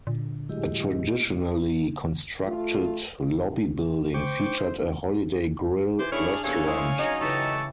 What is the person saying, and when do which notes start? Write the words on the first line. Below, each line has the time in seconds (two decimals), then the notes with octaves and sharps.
A traditionally constructed lobby building featured a Holiday Grill restaurant.
0.07 A#2 D3
0.49 A2 F#3 G#3 E4 G4 D#5
2.47 A3 F4
4.14 C5 G5 C#6 D6
5.99 E3 C5 D6
6.12 F#2 D4 E4 G#4 C#5 F6
6.44 E2 C3 A4 C#5 F5 G#5
6.66 A#2 G#3 E4 G#4
6.99 F#3 C#4 D#4 D#5
7.21 C#3 E3 G4 A5 C#6 E6